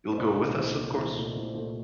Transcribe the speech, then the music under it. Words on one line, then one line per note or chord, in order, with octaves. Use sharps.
You'll go with us, of course?
C5
C2 D5
A#2 A3 D#5
C2 C5
A#2 A3
C2
A#2 A3
C2
A#2 A3